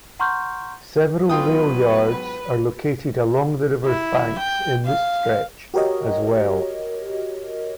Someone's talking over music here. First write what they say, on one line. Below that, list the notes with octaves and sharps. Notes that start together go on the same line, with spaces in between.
Several rail yards are located along the river's banks in this stretch, as well.
F#5 A#5 C6 C#6 F6 G6
G#2 F#3 B3 F4 B4 G5 D#6
E4
G5
F5
F#4 G4 A#4 C#5 D#5